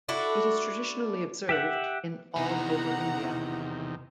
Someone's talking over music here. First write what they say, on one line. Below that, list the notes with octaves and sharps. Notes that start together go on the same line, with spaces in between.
It is traditionally observed in all over India.
D4 E4 F#4 A4
G4 E5 F#5
E2 C3 D#3 E4 F#5 A#5